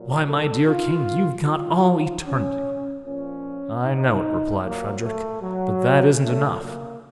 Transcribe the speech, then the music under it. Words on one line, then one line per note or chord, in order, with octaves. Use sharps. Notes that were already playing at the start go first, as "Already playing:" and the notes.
Why, my dear king, you've got all eternity.' 'I know it,' replied Frederick, 'but that isn't enough.
Already playing: A#2 F#3
A4
F4
A2 F#3 F4
C#4
A#2 F3 C#4
D#4
A#2 F#3 A#3
A3
F#3
A#2 F#3 A3
A#3